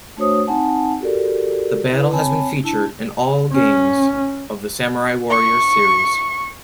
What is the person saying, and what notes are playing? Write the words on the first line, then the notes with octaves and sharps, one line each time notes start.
The battle has been featured in all games of the "Samurai Warriors" series.
A3 D4 F#4 C5 C#5 D#6
C4 D#4 F#5 G#5 A5
F#4 G4 A4 A#4 D5
E4 B4
C4 C#5 G#5 A5 B5
D4 E4 A5
C#4
C#6